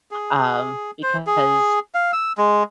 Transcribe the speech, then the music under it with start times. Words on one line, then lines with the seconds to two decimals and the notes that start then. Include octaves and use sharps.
um, because,
0.11 G#4
1.03 C5
1.27 G#4
1.94 F5
2.13 E6
2.38 G#3